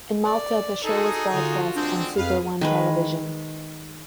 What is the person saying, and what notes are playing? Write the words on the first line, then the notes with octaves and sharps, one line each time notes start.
In Malta the show was broadcast on Super One Television.
D5
D#4 F#4 G#4 A4
D3 F4 F#4
D3 G#3 C4 D4
F2 G#4 B4 F5
D#3 G#3 B4